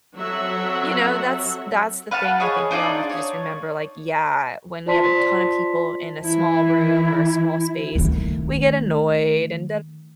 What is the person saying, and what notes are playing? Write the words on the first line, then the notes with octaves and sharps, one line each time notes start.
you know, that's that's the thing I think we all have to just remember, like, yeah, when we have a ton of people in a small room or a small space, we get annoyed and
F#3 C4 F#4 A4 E5 F#5
B4 F5 F#5 A5
G#4 C#5 D#5
D4 D#4 F4 D5
C#5
F4 C5 D5 A5 C6 B6
E3 E4
D#3 A3